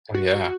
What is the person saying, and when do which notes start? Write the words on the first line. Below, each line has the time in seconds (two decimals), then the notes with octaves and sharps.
Oh yeah.
0.15 F#4